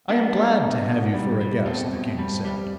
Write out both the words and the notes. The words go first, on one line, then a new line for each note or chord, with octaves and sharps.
"I am glad to have you for a guest," the king said.
G3 B3 D4
G3
B2
B2
G3
G3
B2 A3 C4
B2
G3
G3